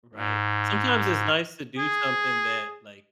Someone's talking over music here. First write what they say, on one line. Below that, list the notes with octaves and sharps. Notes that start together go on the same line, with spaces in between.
Right. Sometimes it's nice to do something that, like,
G#2
G#4